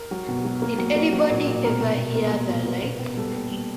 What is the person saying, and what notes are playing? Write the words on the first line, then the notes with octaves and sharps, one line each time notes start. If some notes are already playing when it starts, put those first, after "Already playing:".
Did anybody ever hear the like!
Already playing: A#4
F#3
B2
F#3
A#3
F#3
A#3
F#3
A#2
A#2
B2 A#4
B2
B2
A#3
G3
A#2
B3 A#4
B2
B3
G3 A4
A#3
G3